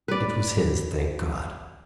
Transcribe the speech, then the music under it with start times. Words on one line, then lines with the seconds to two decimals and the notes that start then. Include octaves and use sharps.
It was his, thank God!
0.08 B4 D5